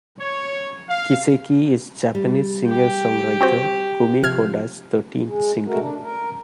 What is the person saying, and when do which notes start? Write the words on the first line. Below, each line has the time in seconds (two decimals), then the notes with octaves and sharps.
"Kiseki" is Japanese singer-songwriter Kumi Koda's thirteenth single.
0.19 C#5
0.88 F5
2.15 G3
2.69 G4 G5
3.41 C4 F#4 C5
4.23 C3 F3 F6 G#6
5.26 G#3
5.67 G#3 A3 F#4 A#4
5.80 D4
6.03 A#4